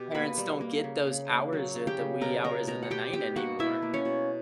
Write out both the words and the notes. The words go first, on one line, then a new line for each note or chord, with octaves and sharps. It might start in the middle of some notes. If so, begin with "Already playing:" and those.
parents don't get those hours or the wee hours of the night anymore.
Already playing: B2 G4
A#3 B4 B5
G3
A#3
C#3
C#3
A#3
F#3
C#3
G4 G5
C#3
B2 A#4 A#5
B2 A#4 A#5
B2 A#4 A#5
F#5
B2 G4 G5
B2 G4 G5
A#3 F#4 F#5
B2 E4 E5
A#3
C#4 C#5
B2